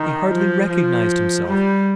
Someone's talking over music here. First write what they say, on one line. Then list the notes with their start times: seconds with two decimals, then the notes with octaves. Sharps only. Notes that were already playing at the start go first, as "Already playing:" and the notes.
He hardly recognized himself.
Already playing: D#3
0.29 F3
0.69 F3
1.47 G3